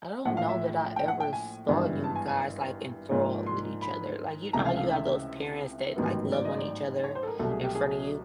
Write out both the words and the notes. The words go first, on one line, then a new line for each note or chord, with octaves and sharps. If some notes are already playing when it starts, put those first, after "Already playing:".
"I don't know that I ever saw you guys, like, enthralled with each other." Like, you know how you have those parents that, like, love on each other in front of you.
A#1 A2 F3 F#5
F5
E5
G5
F#5
G5
G#5
G#1 G2 E3 G3 B3
A5
G#5
G#5
G#2 F3 A#3 D4
C6
B5
C#2 C3 E3 A3 C#4 A#5
F5
F5
E5
A1 G#2 D#3 F#3 B3
D5
D#5
D5
C#5
C5
A4
A#4
C2 B2 F#3 A3 A4
G#4
G4
G#4